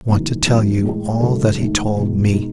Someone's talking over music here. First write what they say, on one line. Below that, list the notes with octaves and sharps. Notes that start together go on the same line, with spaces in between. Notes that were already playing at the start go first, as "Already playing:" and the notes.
I want to tell you all that he told me.
F#1 F#2 E3 A3 D#4
G#1 F#2 E3
A1 A2 G#3
F#2 C#3 G#3 D#4 A4
G#2 D#3 A3
E1 E2 B2 G#3
B2 G#3 D#4